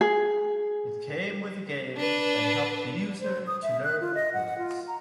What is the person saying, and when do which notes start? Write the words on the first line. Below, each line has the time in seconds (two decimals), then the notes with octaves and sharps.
It came with a game that helped the user to learn the chords.
0.01 G#4
1.97 D4 B4
3.21 C5
3.47 D#6
3.62 E5
3.84 F#6
4.01 F4
4.14 D#5
4.34 F#5
4.58 F4
4.87 A#5